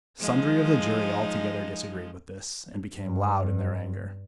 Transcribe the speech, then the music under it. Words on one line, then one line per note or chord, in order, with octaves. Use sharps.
Sundry of the jury altogether disagreed with this, and became loud in their anger.
F3 G#3 D#4
G2